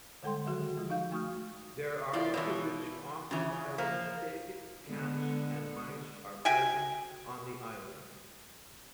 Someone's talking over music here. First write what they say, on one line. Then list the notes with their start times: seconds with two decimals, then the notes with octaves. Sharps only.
There are introduced Auckland Island pig, cats and mice are present on the island.
0.23 D3 G3 G#3 A4 G5 C6
0.46 D#3 F#3 G#3 F#4 G#4 A4
0.77 F3 G#3 F4
0.89 F3 D#4 F5 G6
1.12 A3 F#4 C#6 D#6 F6
2.13 E2 E4 F4 D5
2.34 B2 D3 E3 A#4 B4 C#5
3.31 C#3 E3 D4
3.78 F3 A#3 C5
4.85 D3 G#3 B3
6.45 F#4 E5 G5 G#5